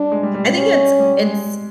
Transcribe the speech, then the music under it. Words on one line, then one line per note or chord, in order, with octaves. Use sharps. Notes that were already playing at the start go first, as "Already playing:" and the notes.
I think it's and s
Already playing: G3 D4
G#3
G3
G3
G3
C#4
G3
G#3